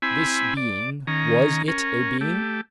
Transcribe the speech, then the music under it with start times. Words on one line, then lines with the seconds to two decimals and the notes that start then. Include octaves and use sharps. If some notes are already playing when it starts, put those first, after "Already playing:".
This being--was it a being?
0.02 C4 E4 G#5 B5
0.57 D5
1.07 D#3 C#4 A#5
1.68 C#4 A#4
2.21 A3 G4